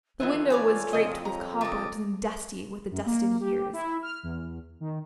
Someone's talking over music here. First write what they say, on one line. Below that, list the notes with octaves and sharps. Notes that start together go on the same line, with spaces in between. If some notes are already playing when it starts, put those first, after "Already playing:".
The window was draped with cobwebs and dusty with the dust of years.
F2 D#3 E3 F4 A4
C#5 D5 G#5
F2 C#3 D#5
F4 A4 C#5 A#5
C#3 A3 D5 D#5
F#2
A#3
G4
E4
F6
E2
D#3